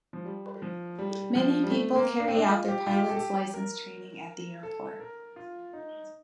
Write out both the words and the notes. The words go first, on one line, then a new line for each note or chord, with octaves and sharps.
Many people carry out their pilot's licence training at the airport.
F3
G3
F3
G3
F3
G3
A3
A#3
D4
C4
D4
F4
G4
F4
G4
A4
G4
A#4
A4
A#4
F4
D#4